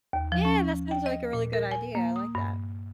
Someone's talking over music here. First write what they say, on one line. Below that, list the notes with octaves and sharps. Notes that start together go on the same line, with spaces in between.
Yeah, that sounds like a really good idea, I like that.
D#2
F3
C#4
G5
D#5
A#2
A#4
G#5
A#3
D#6
G2